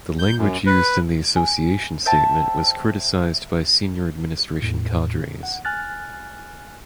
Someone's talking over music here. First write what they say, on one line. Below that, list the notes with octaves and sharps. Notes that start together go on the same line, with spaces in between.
The language used in the association statement was criticised by senior administration cadres.
G6
F#2
B4
G#5
C5 E5 G5 A5
E2 A2
F#5
G#5 F6 F#6 A6